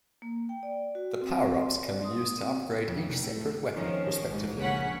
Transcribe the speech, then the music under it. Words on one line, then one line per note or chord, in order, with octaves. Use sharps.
The power-ups can be used to upgrade each separate weapon respectively.
A#3
G5
D5
F#4
C4
C6
D5
D#6
C4
F2
F1
A2
A3
D#3 F3 C#4
A1 G#2
A#1 C#3 C#4 F#5 B6